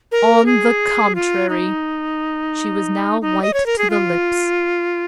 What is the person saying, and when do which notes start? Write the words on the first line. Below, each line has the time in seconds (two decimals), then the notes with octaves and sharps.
"On the contrary!" She was now white to the lips.
0.12 A#4
0.46 G#4
1.15 F4
1.49 D#4
3.21 D#4
3.42 D#5
3.54 C#5
3.66 A#4
3.78 G#4
3.90 F4